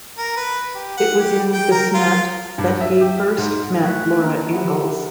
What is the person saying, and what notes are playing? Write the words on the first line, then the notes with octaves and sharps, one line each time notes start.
It was in De Smet that he first met Laura Ingalls.
A#4
B4
G4
F#5
G4
G5
A#4
F4
G2
E5
G4
G#2
A3 B4 C#6 F#6 B6
A#3 D4 B4 E5 A#5
G4 E5 F#5 B5
F#5